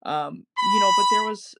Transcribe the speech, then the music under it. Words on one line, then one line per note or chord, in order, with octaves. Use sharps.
um, you know? But there was,
B5